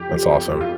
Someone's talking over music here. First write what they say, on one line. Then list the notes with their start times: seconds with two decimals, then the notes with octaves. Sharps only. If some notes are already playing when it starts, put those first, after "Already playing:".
that's awesome.
Already playing: F2 G4
0.09 F3
0.28 F2
0.47 F3
0.61 F4